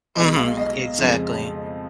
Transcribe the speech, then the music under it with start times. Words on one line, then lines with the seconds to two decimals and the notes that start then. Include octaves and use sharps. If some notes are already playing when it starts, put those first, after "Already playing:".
Mhm. Exactly.
0.16 B1 B2 G#3 D#5
0.37 F5
0.57 D#5
0.98 F2 C#3 F3 G#3